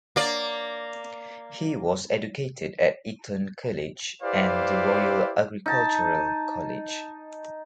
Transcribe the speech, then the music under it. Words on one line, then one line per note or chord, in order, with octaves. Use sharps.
He was educated at Eton College and the Royal Agricultural College.
A#3 D5
E4 G4 B4 C5 D5 F5
D#4 A5